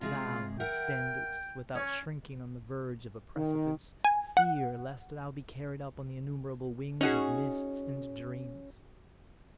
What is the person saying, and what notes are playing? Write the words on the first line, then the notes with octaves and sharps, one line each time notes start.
Thou who standest without shrinking on the verge of a precipice, fear lest thou be carried up on the innumerable wings of mists and dreams.
C3 G#3 F4 G#4
A#4 E5 F#5 G5
C#4 C#5
D#3
G#5
F#5
C#4 D#4 F#4 G#4